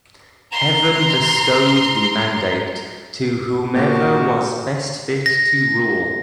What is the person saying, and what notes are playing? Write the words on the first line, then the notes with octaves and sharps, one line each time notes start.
Heaven bestowed the mandate to whomever was best fit to rule.
A#5 C6
A#2 F#4 G4
A#6